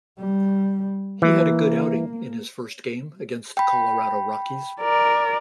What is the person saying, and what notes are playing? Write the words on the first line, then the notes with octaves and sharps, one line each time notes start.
He had a good outing in his first game, against the Colorado Rockies.
G3
E3 A#3
G5 B5
A#4 D5